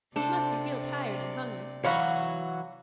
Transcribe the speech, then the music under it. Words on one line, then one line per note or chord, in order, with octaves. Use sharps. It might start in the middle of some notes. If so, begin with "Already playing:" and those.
You must be real tired and hungry.
C3 D4 A4 C5 D5
E3 F#3 F#4 C#5 F5 B5